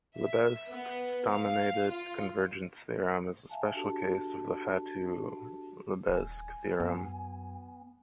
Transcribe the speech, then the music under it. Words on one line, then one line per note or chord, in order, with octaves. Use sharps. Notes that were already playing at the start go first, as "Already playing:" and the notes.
Lebesgue's dominated convergence theorem is a special case of the Fatou-Lebesgue theorem.
E5
B3
F5
F4
E5 F5 G#5 A5
D4 F#4 G4 A4 A5
D#1 G#5
F#2 B3